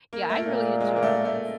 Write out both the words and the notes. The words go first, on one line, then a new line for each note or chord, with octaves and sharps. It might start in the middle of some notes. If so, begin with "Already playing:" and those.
yeah, I really enjoyed this.
A#3
A3
A#3
A#2
G#3
A#3
A3
A3